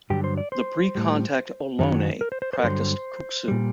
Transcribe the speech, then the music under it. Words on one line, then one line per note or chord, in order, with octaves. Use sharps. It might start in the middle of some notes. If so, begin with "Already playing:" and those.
The pre-contact Ohlone practiced "Kuksu".
G2 D3 F#3 G4
C5
D5
C5
A2 G3
F#2 D#3 F#3
A#4
C5
C5
C5
A#4
G2 D3 F#3 C5
A#2 G3